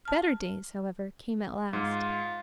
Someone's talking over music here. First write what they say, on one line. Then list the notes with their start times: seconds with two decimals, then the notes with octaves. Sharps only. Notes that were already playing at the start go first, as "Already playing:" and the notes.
Better days, however, came at last.
0.05 A5 F6
1.73 G#2 F4